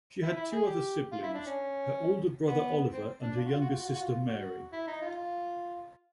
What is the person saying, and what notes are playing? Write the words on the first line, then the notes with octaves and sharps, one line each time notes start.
She had two other siblings: her older brother, Oliver, and her younger sister, Mary.
E4
E4
G#4
G4
F4
E4
D4
C#4
B3
C4
D4
F4
F#4
F4
F#4
F4
F#4
F4
F#4
F4
F#4
E4
D#4
F4